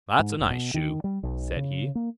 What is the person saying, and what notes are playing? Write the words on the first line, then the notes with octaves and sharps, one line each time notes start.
'That's a nice shoe', said he.
G#2
F1
B2
D#3
G3
B1
C#3
A#3